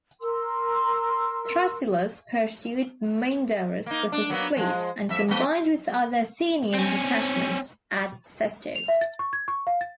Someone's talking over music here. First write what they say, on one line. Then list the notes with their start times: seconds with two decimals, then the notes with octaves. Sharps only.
Thrasyllus pursued Mindarus with his fleet, and combined with other Athenian detachments at Sestos.
0.21 A#4 C6 E6
3.86 A#3 D#4
4.12 D4
4.30 F#3 A#3 B3
4.57 F3 G#3
5.09 F2 E5
5.28 F2 A#3
6.74 C4 C#4
8.76 F7
8.88 E5
9.01 A6
9.19 C#6
9.33 G#6
9.48 C#6
9.67 F5
9.81 A6